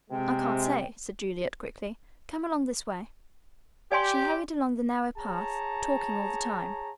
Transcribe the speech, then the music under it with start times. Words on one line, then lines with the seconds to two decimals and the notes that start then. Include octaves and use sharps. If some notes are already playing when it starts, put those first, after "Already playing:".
"I can't say," said Juliet quickly; "come along this way." She hurried along the narrow path, talking all the time.
0.11 C3 G#3 G5
3.92 G4 D5 G#5 C6
5.18 G#4 C#5 A5 A#5